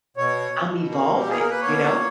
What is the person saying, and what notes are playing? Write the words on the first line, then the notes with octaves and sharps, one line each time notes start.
I'm evolving. You know?
B2 C#5
B2
A#3
G4
A#3 G#4
A#4
B4
B2 C#5